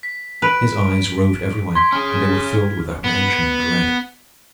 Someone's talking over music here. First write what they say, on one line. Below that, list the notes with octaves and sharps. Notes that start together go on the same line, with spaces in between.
His eyes roved everywhere, and they were filled with apprehension and dread.
B6
B4 D7 F7
C6 G#6 B6
C#4 G#4 F6
B3